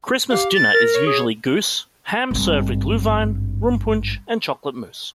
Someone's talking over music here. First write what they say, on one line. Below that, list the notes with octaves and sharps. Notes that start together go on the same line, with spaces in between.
Christmas dinner is usually goose, ham served with Gluhwein, Rumpunsch, and chocolate mousse.
G4 F5
A6
A#4
C#5
G#4
G#1 G2